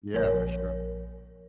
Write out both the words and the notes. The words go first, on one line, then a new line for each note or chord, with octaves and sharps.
Yeah, for sure.
A#1 A#4 C#5